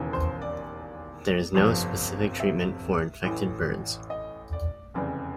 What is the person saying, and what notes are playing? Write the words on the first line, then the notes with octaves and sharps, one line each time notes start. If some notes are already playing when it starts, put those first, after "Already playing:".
There is no specific treatment for infected birds.
Already playing: E1 D#2 C#3 E3
C5
D5
G1 F2 C3 F3
E5
A1 A2 E3
D#5
D5
F1 E2 C#3 E3 D5